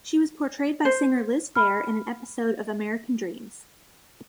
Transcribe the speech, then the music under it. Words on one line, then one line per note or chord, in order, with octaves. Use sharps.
She was portrayed by singer Liz Phair in an episode of "American Dreams".
C5
B5 F6